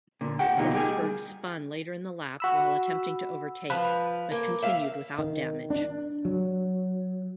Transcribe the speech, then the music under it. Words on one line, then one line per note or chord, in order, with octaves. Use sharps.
Rosberg spun later in the lap while attempting to overtake, but continued without damage.
A#2 D3
G4 F#5 G5
B2 D3 A#3 D#4 F4
G3 G4 G#4
F#4 B5 E6
F3 B4
A#3
E5 F5
D#3
D4
F#3